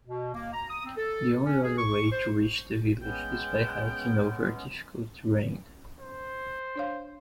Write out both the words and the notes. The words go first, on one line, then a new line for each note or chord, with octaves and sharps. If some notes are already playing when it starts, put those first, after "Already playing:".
The only other way to reach the village is by hiking over difficult terrain.
B2
A#3
A#5
D#6
C4
A4
C#4
G#4
C#6
C5
G#3 B3 C#4 G5
C5
D4 C#5 F5